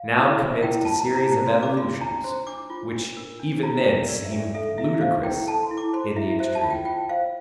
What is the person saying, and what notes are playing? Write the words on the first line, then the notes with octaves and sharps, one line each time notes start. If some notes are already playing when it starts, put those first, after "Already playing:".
Now commenced a series of evolutions which even then seemed ludicrous in the extreme.
Already playing: F5
E4
C5 E5
E4 G5
F4 A5
A#5
D4
A#5
C5 A#5
C6
D4
D6
F4 C6
D4 A#5
C5 C6
D4 D6
F4
D4
A#4
D4
F4 A#5
D4
A#4 D5
E5
D4
A4 E5
E4 E5
C5 F5
E4 G5
A4 A5
C6
E4
D6
C5 C6
E4 E5
C5 E5
A5
F4
G5
F4 G5
C5 F5